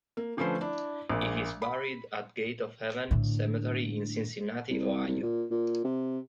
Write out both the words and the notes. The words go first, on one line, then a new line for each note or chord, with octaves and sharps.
He is buried at Gate of Heaven Cemetery in Cincinnati, Ohio.
A#3
D3 F3 A3 C#4 B4 C5
D4 E4
A#1 A#2
B5
A2 D3
C2
C2
A#2
A#2
C3